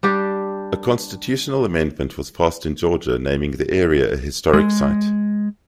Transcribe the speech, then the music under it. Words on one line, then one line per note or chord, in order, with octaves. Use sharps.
A constitutional amendment was passed in Georgia naming the area a historic site.
G3 D4 G4
G#3